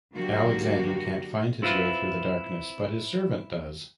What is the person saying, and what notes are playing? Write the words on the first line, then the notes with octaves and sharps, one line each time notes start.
Alexander can't find his way through the darkness, but his servant does.
D3 F#3 A#3 F#4 G4
C4 E4 F4 B4